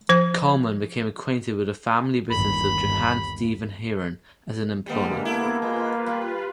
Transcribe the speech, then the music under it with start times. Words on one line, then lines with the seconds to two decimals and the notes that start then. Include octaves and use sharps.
Kuhlmann became acquainted with the family business of Johann Stephan Heeren as an employee.
0.09 F3 C5
2.30 G1 D#2 B5
4.87 D3 G3 G#3 A#3 B3
5.25 A#3 B3 E4 A4
5.62 G#3 F4 B4
6.07 G3